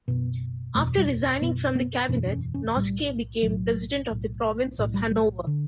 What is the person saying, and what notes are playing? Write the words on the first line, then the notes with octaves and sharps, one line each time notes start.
After resigning from the cabinet, Noske became president of the province of Hannover.
F#1 E2 B2 B3
F#1 E2 B2 A3
G3
F#1 E2 B2 B3
B3
F#1 E2 B2 C#4
D4
C#4
C#4
B1 A2 G3
B1 A2 F#3
B1 A2
B1 A2
G3
G3
D3